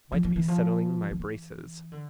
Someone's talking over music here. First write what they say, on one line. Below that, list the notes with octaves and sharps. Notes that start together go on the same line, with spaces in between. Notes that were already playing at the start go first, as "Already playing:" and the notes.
Might be settling my braces.
F3
F3
E3
F3
F3
E3
D3